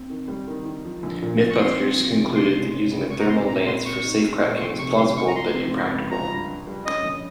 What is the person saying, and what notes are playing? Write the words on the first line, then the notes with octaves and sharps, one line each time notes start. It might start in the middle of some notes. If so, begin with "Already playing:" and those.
"MythBusters" concluded that using a thermal lance for safe-cracking is plausible, but impractical.
Already playing: C4
D#3
G3
D#3
D#3
F3
A#1
A#2
A#2
C#6
C4 C6
C4
F3
C3
C#3 C6
G#3
C#4
C#2
G#3 C#6
A#5
C4 C6
A#2 A#5
C4 C6
A#2 C#6
D#4
G#3
A#2
C#6
F1 C6
C3 C#6
G3 C6
F1 C#6
A#5
F3 C6
C4
C#2
C#2
F4 A#5
G2
G2
G3
C#4 D#5
A#1